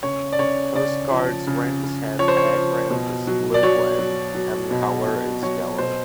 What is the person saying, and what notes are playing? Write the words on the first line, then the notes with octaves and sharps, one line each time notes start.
Coast Guard's ranks have background is blue and hem colour is yellow.
C#3 C#5
D5
C#3 C#5
C#3 D5
F3
C#3
C#3
F3 C#5
C5
C#5
F3
B2
F#3
D5
F#3 C#5
F#3
F#3
B2
B2
F#3 C#5
B2 C5